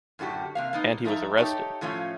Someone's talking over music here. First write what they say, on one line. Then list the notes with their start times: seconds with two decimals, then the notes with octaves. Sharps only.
And he was arrested.
0.19 F#2 A2 D3 F#4 G4
0.55 C3 A#3 F5
0.73 A#3 B3 D#4
1.04 F3 D#4 A4 A#4 E5 A#5
1.38 D#4 G4 A4 C#5
1.81 A2 F3 A3 C#4 F4